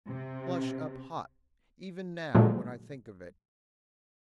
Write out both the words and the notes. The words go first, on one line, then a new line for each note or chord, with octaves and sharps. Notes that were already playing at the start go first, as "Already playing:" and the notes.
I flush up hot, even now, when I think of it.
C3
A#2 D3 F3 F#3 G#3 A3